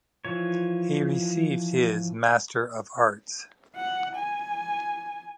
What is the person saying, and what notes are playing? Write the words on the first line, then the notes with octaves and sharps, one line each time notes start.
He received his Master of Arts.
E3 F3 C#5
F#5
G#5